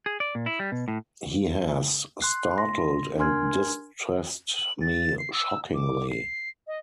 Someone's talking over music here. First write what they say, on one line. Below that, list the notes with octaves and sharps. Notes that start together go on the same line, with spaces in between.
He has startled and distressed me shockingly!
G#4
D5
A#2
E4
G3
B2
A2
C6 F#6 C7
C6 A#6
D4 A#4 G#5 C6 F6 G#6
F#7
A6
C7
E6
D6
C7
D#5